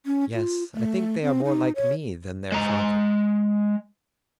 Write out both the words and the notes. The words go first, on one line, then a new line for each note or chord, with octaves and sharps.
"Yes; I think they are more like me than their father."
C#4
F4
A3
C4
D#4
C#5
G#3 A#5